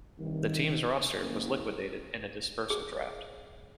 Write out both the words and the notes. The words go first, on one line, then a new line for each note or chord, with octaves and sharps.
The team's roster was liquidated in a dispersal draft.
C2 G2 D#3
F#1
G#4